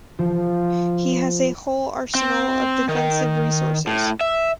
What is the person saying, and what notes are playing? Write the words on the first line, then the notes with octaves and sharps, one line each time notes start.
He has a whole arsenal of defensive resources.
F3
C4
D#3
A2
E5